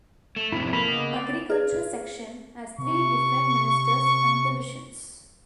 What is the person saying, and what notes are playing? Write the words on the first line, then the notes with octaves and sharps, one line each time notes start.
Agriculture section has three different ministers and divisions.
A3
F2 G#2 C3 E4
A#3 A4 B4 B5
C#3 B3 D#5
D5
G#4 B4
C3 C#6